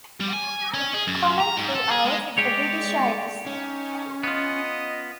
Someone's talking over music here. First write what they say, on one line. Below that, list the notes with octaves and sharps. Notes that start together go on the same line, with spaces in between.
Common throughout the British Isles.
G3
G#5
C#4
G#4
F#2
A#5
G#2
A4
G#4
G#3
G#3 G4 C#5 D5
C#4 D#4
B3 F4 D#5